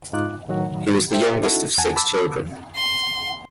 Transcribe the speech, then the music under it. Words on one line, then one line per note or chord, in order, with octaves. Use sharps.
He was the youngest of six children.
G#2 D#4 F4 D6 F#6
A2 D#3 F#3 F#4
G4 A4 C5 E5 G5
C#4 D#4 E4 F#4 A4
E2 F#5 G#5 A5
A5 B5 D6 E6
C6